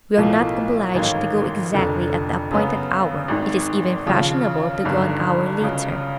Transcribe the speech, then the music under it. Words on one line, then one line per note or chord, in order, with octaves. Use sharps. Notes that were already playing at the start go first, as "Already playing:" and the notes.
We are not obliged to go exactly at the appointed hour; it is even fashionable to go an hour later.
B1 A2 F3 A#3
A1 G#2 D#3 F#3 A#3
F1 F2 D3
F#2 C#3 F#3 B3
G#1 G#2 D#3
D#2 C#3 F3
G1 G2 D#3
C#2 C#3 F#3